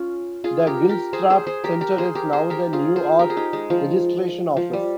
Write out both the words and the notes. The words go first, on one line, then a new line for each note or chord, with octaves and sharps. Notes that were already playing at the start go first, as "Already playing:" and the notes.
The Gilstrap Centre is now the Newark Registration Office.
Already playing: C#4 F4
F4 G#4
G4 A#4
G4 A#4
G#4 C5
G#4 C5
G#4 C5
G4 A#4
G4 A#4
G#4 C5
G4 A#4
G#4 C5
G4 A#4
F4 G#4
G#4 C5
G4 A#4
G#4
D#4 G4
G#3
F3
F3
G3